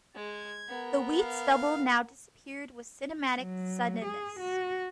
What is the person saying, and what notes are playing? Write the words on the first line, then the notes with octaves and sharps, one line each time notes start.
The wheat stubble now disappeared with cinematic suddenness.
G#3 G#6
B3 A#4
F5
F#3
G#4
F#4